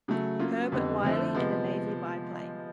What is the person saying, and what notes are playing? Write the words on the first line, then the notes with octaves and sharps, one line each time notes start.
Herbert Wiley, and a Navy biplane.
C#3 F#3 A3
F#3 A#3 C#4 F4
F2 D3 G3 B3 D#4
D3 F3 A3 C4 E4
C3 F3 G#3 B3